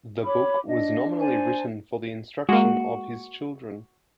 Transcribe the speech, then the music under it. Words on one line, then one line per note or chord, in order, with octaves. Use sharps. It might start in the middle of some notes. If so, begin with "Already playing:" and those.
The book was nominally written for the instruction of his children.
C#5 B5 D6
D4 D#5
C5 G#5 A5
G#3 A#3 F#4